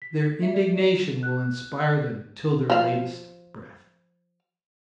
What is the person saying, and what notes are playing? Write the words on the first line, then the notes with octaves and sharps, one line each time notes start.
Their indignation will inspire them till their latest breath.
B6
E5
D5
E7
F#6
F3 F5